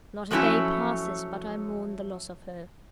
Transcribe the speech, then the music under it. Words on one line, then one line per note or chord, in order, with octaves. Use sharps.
Not a day passes but I mourn the loss of her.
F3 F#3 A3 C4 C#4 E4